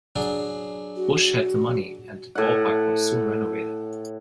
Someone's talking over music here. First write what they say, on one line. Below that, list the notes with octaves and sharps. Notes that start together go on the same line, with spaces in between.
Busch had the money, and the ballpark was soon renovated.
F#3 D4 G#4
F#4
A2 F#5